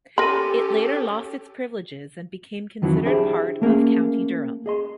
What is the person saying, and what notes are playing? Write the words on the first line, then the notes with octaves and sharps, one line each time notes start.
It later lost its privileges, and became considered part of County Durham.
C#4 G4 A4 A#4 B5 C6 A#6 D#7
F2 D#3 E3 F#3
D4 E4 G4 G#4 C5 G5
A3 A#3 C#4 G#4
G#4 D#5 C6